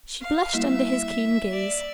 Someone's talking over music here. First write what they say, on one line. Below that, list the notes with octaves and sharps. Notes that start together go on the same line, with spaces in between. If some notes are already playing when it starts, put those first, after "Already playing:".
She blushed under his keen gaze.
F5
G3 A#3 E4 E5
D5